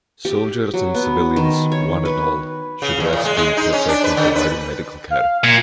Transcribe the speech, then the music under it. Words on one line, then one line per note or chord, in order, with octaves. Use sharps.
Soldiers and civilians, one and all, should rescue, protect, and provide him medical care.
G4
F#3
B3
D#3
C#5
B4
C#3
E2
A2
G#3
G#3
D#4
C#4
D4
B4
D3
B4
F5
A#2 G#6